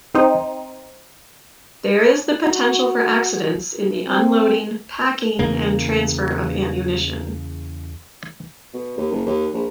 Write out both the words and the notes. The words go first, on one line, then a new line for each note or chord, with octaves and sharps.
There is the potential for accidents in the unloading, packing, and transfer of ammunition.
C4 D#4 C5
F#4
C4
E2 C#3 A#3
B2
D#2
F#1
D#2
A#1